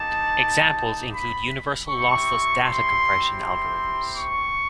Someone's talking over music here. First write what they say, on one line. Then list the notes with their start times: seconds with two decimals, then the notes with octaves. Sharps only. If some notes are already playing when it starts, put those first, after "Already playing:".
Examples include universal lossless data compression algorithms.
Already playing: A#3 D#4 G4 A5
1.13 B5
1.88 C4 E4 G4 C#6
2.65 C6
3.41 C6
4.17 C#6